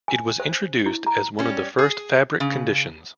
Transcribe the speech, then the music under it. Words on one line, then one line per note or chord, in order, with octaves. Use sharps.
It was introduced as one of the first fabric conditions.
G#5
C5
E4
A#5
G3 C#4
G#4
C#3